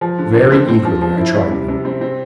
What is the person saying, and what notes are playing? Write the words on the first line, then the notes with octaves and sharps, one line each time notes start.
Very eagerly I tried them.
F3
D3
D3
C4
C4
F3
F3
E4
G3
C3
C3
C4
C4